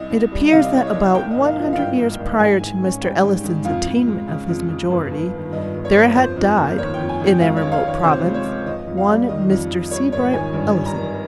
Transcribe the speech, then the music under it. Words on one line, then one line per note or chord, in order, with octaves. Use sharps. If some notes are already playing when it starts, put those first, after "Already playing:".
It appears that about one hundred years prior to Mr. Ellison's attainment of his majority, there had died, in a remote province, one Mr. Seabright Ellison.
Already playing: C2 D#5
C2
G3
C3 F5
D#5
C2 C#5
D#5
C2
A#3 G5
D#5
G#1
F5
F3
D#5
F5
G2 G5
A#3
G#1
G#2 G#5
G#2
C#4
G3 G5
G#2
G#2
F2 F5
F2
G#3
C#3
F2
F2
G1
G1
D#3
G2 D#5
G1
C#5
G1
F2 C5
F2
A#3
D#3 C#5
G5
F2
G#5
F2
G5
G#3 F5
C#5
C#2
F5
D#3 C#5
C3 C5
G#3
C#5
C#2
F2 D#5
F2
F5
G3
D#3 D#5
F2
F2
G3 C#5
G#1 C#5
D#3 G#5
G2
G3
A#5
G#1